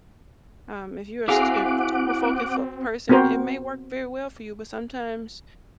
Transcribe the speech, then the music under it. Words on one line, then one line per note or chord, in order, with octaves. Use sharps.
Um, if you are a st if you're a super focused fo person, it may work very well for you, but sometimes
C4 E4 F#4 G#4 A4 F5 F#5 D6
B3 C4 F#4 A#4 C5